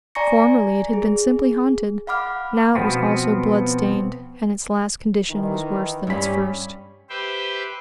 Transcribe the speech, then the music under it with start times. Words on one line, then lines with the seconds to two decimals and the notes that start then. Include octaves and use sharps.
Formerly it had been simply haunted, now it was also blood-stained, and its last condition was worse than its first.
0.15 D5 G#5 A#5 C#6 A#6 C#7
0.93 G#4
2.07 F5 F#5 B5 D6 F6
2.75 B2 F3 B3 C4
5.30 D#3 E3
6.07 G2 G3 C#4 B5
7.10 G4 B4 C5 E5 G5